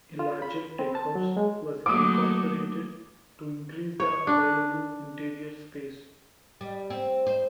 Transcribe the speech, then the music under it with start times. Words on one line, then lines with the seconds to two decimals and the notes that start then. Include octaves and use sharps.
A larger deckhouse was incorporated to increase the available interior space.
0.19 F4
0.42 B5
0.79 C4
0.95 A5
1.15 F#3
1.37 G#3
1.86 F#3 A3 A#3 D6 D#6
4.00 C#5
4.27 D4
6.61 G3
6.90 C4
7.27 C5